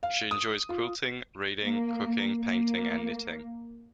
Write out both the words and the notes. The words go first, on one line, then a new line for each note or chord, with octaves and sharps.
She enjoys quilting, reading, cooking, painting, and knitting.
F5
D#6
F4
A#3
A#3